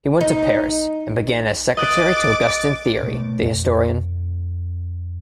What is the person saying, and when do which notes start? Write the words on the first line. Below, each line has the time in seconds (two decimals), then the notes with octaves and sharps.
He went to Paris and began as secretary to Augustin Thierry, the historian.
0.21 D#4
1.77 D#5 D6 F#6 A6
3.03 B2 A3
3.42 F2